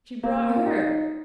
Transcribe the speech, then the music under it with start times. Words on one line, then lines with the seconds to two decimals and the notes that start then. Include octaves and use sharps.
She brought HER.
0.23 A#3
0.56 F4
0.67 D#4